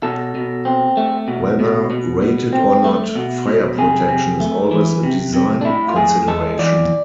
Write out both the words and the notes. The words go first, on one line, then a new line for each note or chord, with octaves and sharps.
Whether rated or not, fire protection is always a design consideration.
B2 A4
B2
C4
A3
B2
B2
B2
B2
C4
A3
B2
B2
C3 G#4
C3
A3
E3
C3
C3
D4
A2 E4
F4
A2 G#4
G#3 A4
E3 D5